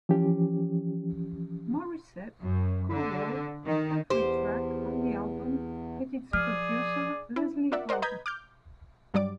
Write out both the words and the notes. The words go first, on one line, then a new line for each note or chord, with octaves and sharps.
Morissette co-wrote every track on the album with its producer, Leslie Howe.
E3 F3 C#4 G4
F#2
D3
D#3
E2 G4 C5
F3 G#4 D5 F6
E4
F4 A#4 D5 E5 F#5
A#4 C5 D5 D#5 F#5
B4 D#5 A#5 G6 G#6 B6
D6 F6 G6
G2 F#3 G3 D5 D6